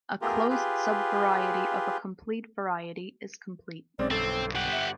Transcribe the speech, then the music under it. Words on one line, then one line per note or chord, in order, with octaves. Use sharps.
A closed subvariety of a complete variety is complete.
A3 B3 F4 G4 G#4 A#4
F4 G4 G#4 B4
B1 G#3 C4 C#4 D5
G1 C4 A4 A6
G4 F#5
E5